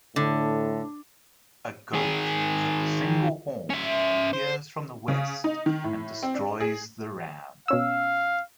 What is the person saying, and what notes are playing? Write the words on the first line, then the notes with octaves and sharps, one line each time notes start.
A goat with a single horn appears from the west and destroys the ram.
A2 D3
D#3 G#4
C#4 E5
C5
C#3
D#4
D#3
A2
C4
D4
G#4
B2 C#4 F5 E6